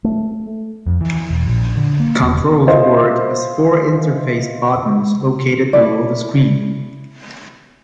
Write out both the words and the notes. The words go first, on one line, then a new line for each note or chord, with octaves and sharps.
Controls work as four interface buttons located below the screen.
A3
F2
E3
E1
A#1
D3
A#3
E1
E4 F4 C5 D#5 C6
E4 D5